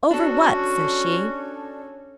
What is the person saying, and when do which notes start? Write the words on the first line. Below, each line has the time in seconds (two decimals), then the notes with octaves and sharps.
'Over what?' says she.
0.11 C#4 D4 F#4 A4